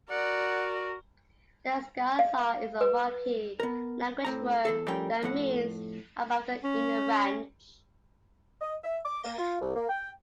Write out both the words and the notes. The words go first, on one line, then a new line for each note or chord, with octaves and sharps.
Destghil sar is a Wakhi language word, that means above the inner ranch.
F#4 A#4 D5 F#5
F5
B4
B3 A#4
A2 C4 A#5
E2 B2 A4
A2 F3 G3 C#4 A#4 G5
F2 A2 F#5
C#4
D#5
E5
D6
A#3
F4
C2
A#3
G5